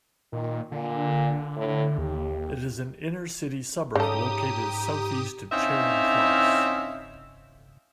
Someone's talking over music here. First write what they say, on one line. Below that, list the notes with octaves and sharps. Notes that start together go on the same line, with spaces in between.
It is an inner-city suburb located southeast of Charing Cross.
A#2 D#3
A#2 D3
A2
D#2 G4
G#2 C#3 G4 A4 A#5 D#6
C4 C#4 D#4 E4 E5 F5